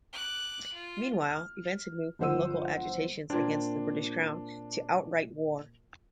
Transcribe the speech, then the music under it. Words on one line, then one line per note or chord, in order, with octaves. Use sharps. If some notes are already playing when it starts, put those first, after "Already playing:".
Meanwhile, events had moved from local agitations against the British crown to outright war.
D6 F#6
F4
F6
G1 F3 C5 F#5 E6 D#7
A#2 C4 D4